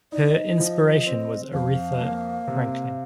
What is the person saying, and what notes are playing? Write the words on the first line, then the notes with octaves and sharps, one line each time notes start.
Her inspiration was Aretha Franklin.
D#4 D5
D#5
F3
C4
F2 F5
A#3
C3